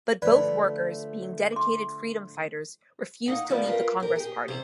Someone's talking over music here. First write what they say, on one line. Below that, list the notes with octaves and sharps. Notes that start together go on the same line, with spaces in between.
But both workers, being dedicated freedom fighters, refused to leave the Congress Party.
D3 F3 A3 B4 D5
C6 D6
A#3 D#4 F#5
D#3 F3 G3 B3 E4 G4
A3 F4 A#4 B4
G4 A#4
G4 G#4
C3 C#4 C5